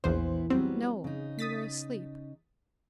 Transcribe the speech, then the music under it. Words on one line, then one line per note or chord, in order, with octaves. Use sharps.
"No, you were asleep."
A#1 E2 E3 B3 E4 C5
F#3 G3 B3 C4
C#3 D#4
D#6 A6 B6